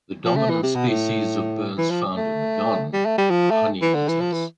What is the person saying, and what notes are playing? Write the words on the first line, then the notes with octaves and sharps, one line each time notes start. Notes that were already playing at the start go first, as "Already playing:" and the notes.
The dominant species of birds found in the Garden are honeyeaters.
F3
A3
E3
C3
B2
A2
E3
F3
A3
G3
A3
G3
F3
A3
E3
D3
E3
F3
E3